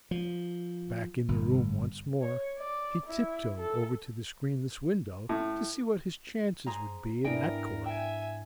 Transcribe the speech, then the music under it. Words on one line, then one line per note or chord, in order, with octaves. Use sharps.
Back in the room once more, he tiptoed over to the screenless window to see what his chances would be in that quarter.
F3
G1
C#5
D5
E4
A4
A2
G#4 C5 A#5
G#2 B3 D4 E4 A#4 D#5 G5 G#5
E5 G5 G#5